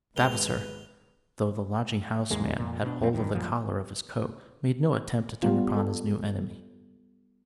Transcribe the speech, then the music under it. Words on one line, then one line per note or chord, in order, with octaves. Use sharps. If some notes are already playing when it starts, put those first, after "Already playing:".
Vavasor, though the lodging-house man had hold of the collar of his coat, made no attempt to turn upon his new enemy.
G#1 D#2 G#3 F#4 B4 F7 G7
D#2 G#2 G#3 A#3
F2 A#2
B2 B3 D4
F2 A3 B3 C4
E1 B1 G2 D#3
A1 F#2 A#2 F3
G3 B3 F4
A4